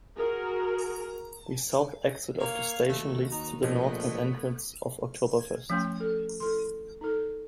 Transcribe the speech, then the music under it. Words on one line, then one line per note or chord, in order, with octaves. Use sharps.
The south exit of the station leads to the northern entrance of Oktoberfest.
F#4 G#4 A#4
A#3 C#5 F5
D#2 A3 F#4
D#4
A#1 F3 A3 B3 D#5
F3 A3 C#4 G5 C6
A4
E4 A4 C6
D#4 A4